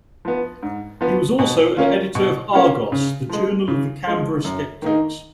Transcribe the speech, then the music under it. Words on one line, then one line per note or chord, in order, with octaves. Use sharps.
He was also an editor of "Argos", the journal of the Canberra Skeptics.
F3 B3
G#2
F3 B3
B2
A#3 C#4 F4
B2
A#3 C#4 F4
C#3
F3 G#3
C#3
F3 G#3
F#2
D#3 A#3 D#4